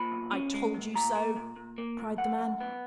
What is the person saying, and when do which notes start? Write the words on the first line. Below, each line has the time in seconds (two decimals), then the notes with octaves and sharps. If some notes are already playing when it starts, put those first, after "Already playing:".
"I told you so," cried the man.
Already playing: A#2 B5
0.12 B1
0.33 C#4
0.54 G#3
0.74 A#2
0.94 A#2 A#5
1.15 A#3
1.36 A#2
1.56 A#2
1.78 A#3
1.98 A#2
2.18 F#2 F#5
2.39 F#2
2.60 B3